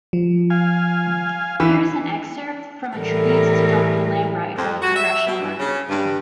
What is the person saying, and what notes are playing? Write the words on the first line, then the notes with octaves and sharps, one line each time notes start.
Here is an excerpt from a tribute to Doctor Lambright from the Congressional Record.
F3
F5 G#5
E3 B5
A2 E3 G3 A4 A#4
F2
F#4
E5
B2
G2
C#3
G2